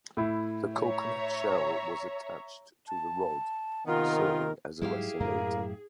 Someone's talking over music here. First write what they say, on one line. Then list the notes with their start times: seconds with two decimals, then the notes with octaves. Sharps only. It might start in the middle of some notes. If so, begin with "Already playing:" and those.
The coconut shell was attached to the rod, serving as a resonator.
0.17 A2 E4
0.77 C#5 E5 A#5
2.88 A5
3.87 C3 D#3 B3 F4 A#4
4.81 G#2 F#3 G3 E4 G4 G#4 F5
5.20 F#2 A2 A#3